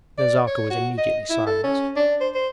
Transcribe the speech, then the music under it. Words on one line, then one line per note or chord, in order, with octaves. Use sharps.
Nazarka was immediately silenced.
D5
C#5
F#4
D#5
E4
A4
C#4
D4
C5
C5